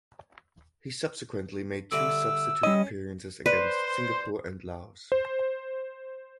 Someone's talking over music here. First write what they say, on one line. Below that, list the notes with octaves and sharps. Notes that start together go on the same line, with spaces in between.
He subsequently made two substitute appearances against Singapore and Laos.
D3 G3 A3 E6
G3 C#4 D#5
B4 C5 D5
C5